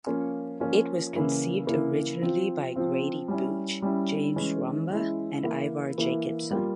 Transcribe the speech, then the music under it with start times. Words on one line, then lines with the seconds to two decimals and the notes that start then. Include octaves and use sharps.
It was conceived originally by Grady Booch, James Rumbaugh, and Ivar Jacobson.
0.06 F3 A#3 C#4 F4
0.60 F3 A#3 C#4 F4
1.13 C#3 E3 A#3 C#4 E4
1.67 C#3 E3 A#3 C#4 E4
2.22 F3 C4 F4
2.75 F3 C4 F4
3.28 G3 C#4 E4
3.82 G3 C#4 E4
4.36 E3 G#3 C#4 E4
4.90 E3 G#3 C#4 E4
5.44 E3 A#3 E4
5.98 E3 A#3 E4
6.51 G3 A#3 F4